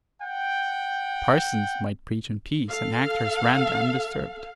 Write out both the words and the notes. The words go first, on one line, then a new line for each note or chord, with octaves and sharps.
Parsons might preach in peace, and actors rant undisturbed.
F#5 G5
A4 F5